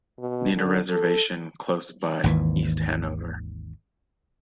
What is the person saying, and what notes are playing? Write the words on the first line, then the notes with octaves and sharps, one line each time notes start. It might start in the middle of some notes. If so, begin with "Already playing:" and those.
Need a reservation close-by East Hanover.
B2
D3
A4
G#1 D#2 E3